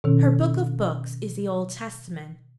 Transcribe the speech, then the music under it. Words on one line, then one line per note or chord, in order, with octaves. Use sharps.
Her book of books is the Old Testament.
B2 D#3 C#4